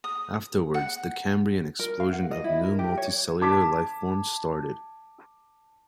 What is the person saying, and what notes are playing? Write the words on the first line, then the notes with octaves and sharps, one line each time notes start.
Afterwards, the Cambrian explosion of new multicellular life forms started.
D#6
F#5
A#4
F5
F#5
D#5
E4
A#4
G4
C#5
A5 D6 G#6 B6